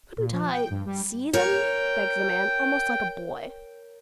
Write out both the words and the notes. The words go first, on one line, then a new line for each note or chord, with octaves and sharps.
"Couldn't I see them?" begged the man, almost like a boy.
A#2
F3
G5
G2
G3
A#4 C#5 G5